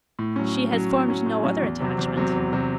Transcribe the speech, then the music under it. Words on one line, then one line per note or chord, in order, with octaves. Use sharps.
'She has formed no other attachment?'
A2
F#3 C#4
A2
F#3 C#4
A2
F#3 C#4
A2
F#3 C#4
E2
C3 F#3 C4
E2
C3 F#3 C4
E2
C3 F#3 C4